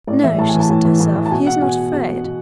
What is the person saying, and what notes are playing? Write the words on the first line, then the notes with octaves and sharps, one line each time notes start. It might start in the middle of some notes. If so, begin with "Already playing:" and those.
"No," she said to herself, "he is not afraid."
A2 D5
E3 E5
A2 A5
G#5
E3
A5
A2
E3
A2
E3
A5
B2 G#5
F#5
B2 G#5
B2
B2